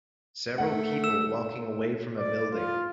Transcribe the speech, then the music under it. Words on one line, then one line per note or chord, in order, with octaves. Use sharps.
Several people walking away from a building.
A3 F#5
E6 E7
D5
F4